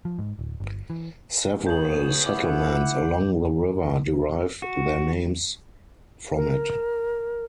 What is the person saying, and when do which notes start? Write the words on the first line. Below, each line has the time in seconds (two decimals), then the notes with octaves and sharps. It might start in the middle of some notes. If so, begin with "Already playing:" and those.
Several settlements along the river derive their names from it.
0.05 F3
0.18 G#2
0.39 D1
0.60 G1
0.90 E3
1.67 B3 G#4 C#5 G6 F#7
2.26 E4 F#5 D6
4.62 F#4
6.35 A#4